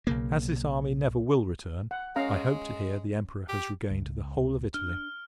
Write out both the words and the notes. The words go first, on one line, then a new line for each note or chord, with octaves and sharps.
As this army never will return, I hope to hear the Emperor has regained the whole of Italy.
B1 C#3 A#3
F#5
G#3 C#4 F5 A#5
G4
C#2
D4 F6